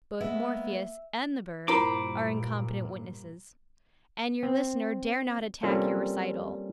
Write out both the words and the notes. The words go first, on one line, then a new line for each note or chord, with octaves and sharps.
Both Morpheus and the bird are incompetent witnesses; and your listener dare not attack your recital.
G#3 A#3 B3 E5
G2 A#2 E4 F4 A#4 C5 B5 D6
C4
G3 A#3 C4 C#4 F4 A4